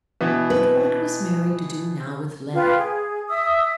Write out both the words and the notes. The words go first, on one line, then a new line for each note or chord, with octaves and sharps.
But what was Mary to do now with Letty?
B2 E3
B4
F4 B4 G5
G#4
E5 D#6 E6